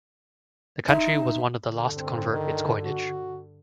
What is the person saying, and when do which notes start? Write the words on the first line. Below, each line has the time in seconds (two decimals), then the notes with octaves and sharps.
The country was one of the last to convert its coinage.
0.88 D#4 E5 C6
1.68 G2 D3
1.97 C4
2.32 D#3
2.83 F#4